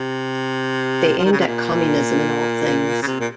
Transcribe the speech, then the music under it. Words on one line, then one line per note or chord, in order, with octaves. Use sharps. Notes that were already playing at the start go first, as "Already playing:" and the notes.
They aimed at communism in all things.
Already playing: C3
F3
D#3
C#3
C3
A#2
C#3
C3
A#2